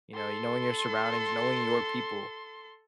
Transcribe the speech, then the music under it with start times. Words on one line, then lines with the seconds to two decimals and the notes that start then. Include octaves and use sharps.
you know, y knowing your surroundings, knowing your people,
0.14 A4 C6